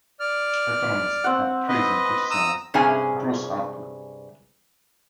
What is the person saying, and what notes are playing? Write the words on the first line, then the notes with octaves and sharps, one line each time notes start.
Economists have praised and criticized gross output.
D5 F6
C4 F#5
B4 D#5
A#5 D#6 E6
G2 C3 C#4 G#4 G#5